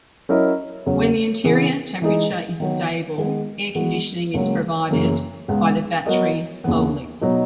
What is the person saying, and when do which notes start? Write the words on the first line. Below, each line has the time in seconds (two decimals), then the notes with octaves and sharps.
When the interior temperature is stable, air conditioning is provided by the battery solely.
0.29 F#3 C#4 E4 A#4 D#5
0.86 E2 C#3 F#3 C#4
1.44 C#3 E3 B3 E4 G#4
2.02 E3 G#3 D#4 G#4
2.60 D#3 F#3 B3
3.18 D#3 G#3 B3
3.75 E3 G#3 B3 F#4
4.34 C#2 C#3 F#3 A#3
4.90 F#2 C#3 E3 A#3
5.48 C#2 C#3 G#3 B3
6.06 F#3 B3 F#4 A#4 D#5
6.64 D#2 C#3 E3 B3
7.21 B2 F#3 B3 D#4